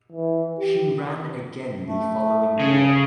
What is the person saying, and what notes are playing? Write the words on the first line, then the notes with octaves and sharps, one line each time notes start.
She ran again the following year.
E3
G4
A3
C#3